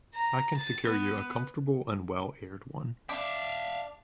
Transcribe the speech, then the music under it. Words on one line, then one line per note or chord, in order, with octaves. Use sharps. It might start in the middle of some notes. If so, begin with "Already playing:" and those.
I can secure you a comfortable and well-aired one.
A#5
A6
B3
D4 E5 F5 D6